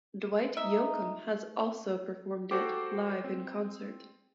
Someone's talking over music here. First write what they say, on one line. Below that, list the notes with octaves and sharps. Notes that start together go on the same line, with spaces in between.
Dwight Yoakam has also performed it live in concert.
D#4 E5
F#4 G4 A4 C5 G5 D6
C4